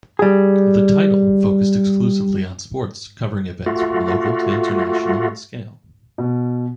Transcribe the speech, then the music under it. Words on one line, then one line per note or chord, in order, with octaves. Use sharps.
"The Title" focused exclusively on sports, covering events from local to international in scale.
G3 G#4
A3 F4 F#4
B2